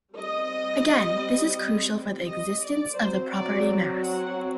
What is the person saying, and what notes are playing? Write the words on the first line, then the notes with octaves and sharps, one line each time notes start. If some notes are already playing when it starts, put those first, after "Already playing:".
Again, this is crucial for the existence of the property "mass".
G3 C4 D#5
D#5
D5
F#3 C4 C5
D5
F#5